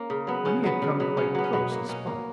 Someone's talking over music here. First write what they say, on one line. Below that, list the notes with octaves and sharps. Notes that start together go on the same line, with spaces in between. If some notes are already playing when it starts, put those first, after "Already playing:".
When he had come quite close he spoke.
Already playing: A#3 C#4
C#3
F#3 B3
C#3 C#4
F#3 B3
C#3
F#3 B3
C#3 C#4
F#3 B3
C#4
B2 B3
A#3
B2 C#4
A#3